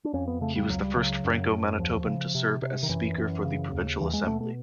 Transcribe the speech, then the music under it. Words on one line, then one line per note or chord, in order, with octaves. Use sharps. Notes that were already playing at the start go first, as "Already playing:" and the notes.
He was the first Franco-Manitoban to serve as speaker for the provincial assembly.
D4
F2 C#4
B3
C#3 A3
G3
C#2 F#3
G3
C#3 F#3
F#2
F#2
D#2 F3
C#3
C3
C3
D#3
F#2 E3
F#2
C#3
D#2
E2 E3
G#3
B2 A3
A3